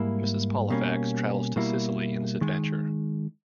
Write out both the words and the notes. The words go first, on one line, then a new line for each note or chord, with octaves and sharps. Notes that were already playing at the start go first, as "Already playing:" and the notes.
Mrs. Pollifax travels to Sicily in this adventure.
Already playing: G#2 G3 A#3 E4
B2 G3 A#3 C#4
B2 G3 A#3 E4
D#3 G#3